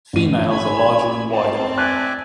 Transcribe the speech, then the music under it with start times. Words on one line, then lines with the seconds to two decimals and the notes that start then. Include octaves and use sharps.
Females are larger and wider.
0.13 A1 D#7
0.47 G#5 B5 G#6
1.32 C4 A5
1.78 D5 E5 G#5 F#6